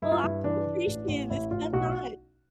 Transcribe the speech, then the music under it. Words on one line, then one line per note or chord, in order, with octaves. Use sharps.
Well, I appreciated this, so fun
G2 E4
F4
G2 E4
E3 D4
E3
A1
A1
A1 E4
A1 F4
B1 F#4